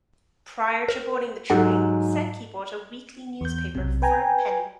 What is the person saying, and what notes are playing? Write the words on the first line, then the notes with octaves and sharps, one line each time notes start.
Prior to boarding the train, Sankey bought a weekly newspaper for a penny.
A#4
G#2 F#3 G4 A4 F#5
E2 G6
B1 C3
B4 G5 G#5 A#5